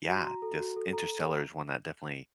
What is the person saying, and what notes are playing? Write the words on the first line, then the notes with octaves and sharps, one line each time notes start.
yeah, this Interstellar is one that definitely
F#4
C6
F#4 A#5
A4
F#4
A4
A4 A#5